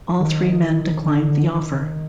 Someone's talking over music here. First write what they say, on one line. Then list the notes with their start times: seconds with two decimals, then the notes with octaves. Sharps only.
All three men declined the offer.
0.19 D#3
1.03 D3
1.24 D3
1.45 D#3